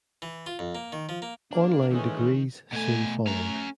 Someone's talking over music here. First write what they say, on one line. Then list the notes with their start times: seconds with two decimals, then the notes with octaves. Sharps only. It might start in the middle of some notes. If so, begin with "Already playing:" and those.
On-line degrees soon followed.
0.22 E3
0.46 F4
0.59 F2
0.75 A#3
0.92 D#3
1.09 F3
1.22 A#3
1.51 A#3 D4
1.90 D#3 E3 G#3 A3 C#4
2.73 B2 A3 G#5
3.27 C#4 A#5